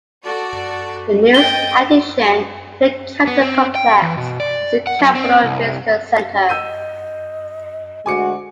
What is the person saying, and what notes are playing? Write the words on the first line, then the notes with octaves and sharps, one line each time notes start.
The newest addition to the Capitol Complex is the Capitol Visitor Center.
F#4 A4 D5
D#5 G5 A6 G7
B3
C4
G5
E3
B2
D5
F#5
F#2
C4
C2
D#5 E6 G6 D#7
D2 G#3 F#4 G#5 D6 C#7